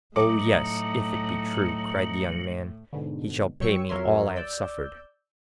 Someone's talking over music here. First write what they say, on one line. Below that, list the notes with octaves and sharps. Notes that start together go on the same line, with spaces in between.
"Oh, yes, if it be true," cried the young man, "he shall pay me all I have suffered."
A2 F#3 D#4 D6
G#2 B2 D3
F#3 C#5 G5 C#6 E6 C#7
F2 F#3 A#4 C#5 E5 C6
D5 E6 G6